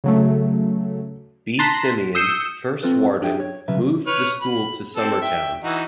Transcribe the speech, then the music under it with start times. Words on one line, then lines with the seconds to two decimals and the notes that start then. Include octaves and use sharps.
B. Simeon, first Warden, moved the school to Summertown.
0.04 C#3 F#3 A3
1.59 A5 A#5 C6 F#6 A#6 B6
2.15 D#6 E6 G6 C7 C#7 E7
2.83 C4 F4 A4 B4
3.22 D4 G4 G#4 E5 G5
3.40 C#5
3.68 C2 C#3 F#3 B4 E5
4.07 B4 C#5 F6
4.41 B5
4.96 C4 A4
5.22 E5 G5
5.64 E3 D#4 F#4